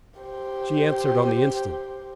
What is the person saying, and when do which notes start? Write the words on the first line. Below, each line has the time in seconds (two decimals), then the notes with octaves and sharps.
She answered on the instant.
0.20 G4 C5